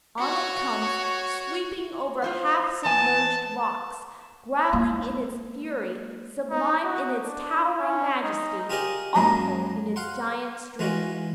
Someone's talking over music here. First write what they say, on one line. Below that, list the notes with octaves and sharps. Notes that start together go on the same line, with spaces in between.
On it comes, sweeping over half-submerged rocks, growling in its fury, sublime in its towering majesty, awful in its giant's strength.
F#4 C#5
F4 C5 F5
E2 B3 G#5 A5
G#3 A#3
D#4
F#4
D4
C#4
D#4
F4 G4 G#4 A#4 D5 D#5
F#2 F#3 G#3 A#3
F5 F#5 C6
E3 G#3 F4 F#4